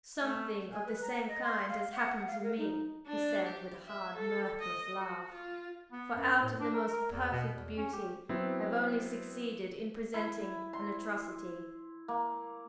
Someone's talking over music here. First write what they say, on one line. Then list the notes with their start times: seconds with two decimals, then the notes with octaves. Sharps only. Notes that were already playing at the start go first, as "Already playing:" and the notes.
"Something of the same kind has happened to me," he said with a hard, mirthless laugh, "for out of the most perfect beauty I have only succeeded in presenting an atrocity."
0.22 A3
0.71 G#5
0.86 B4
1.02 A#5
1.28 D#5
1.43 C6
1.69 F5
1.92 F#5
2.27 F5
2.42 A#4
2.58 D#4
3.08 D4
3.45 G4
3.86 E5
4.17 A4
4.60 D#5
4.97 F#4
5.33 F4
5.92 B3
6.16 F#2
6.42 A2
6.60 D4
6.74 A#4
6.88 A#4
7.11 E2
7.31 B2
7.54 E2
7.77 C#4
7.93 G4
8.29 F#3 B3 C4 E4
10.14 E4
10.73 C6
12.08 A#3